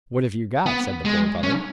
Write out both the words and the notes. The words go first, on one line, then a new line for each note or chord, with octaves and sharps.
"What have you got?" said the Poor Brother.
B3
G#3
C#4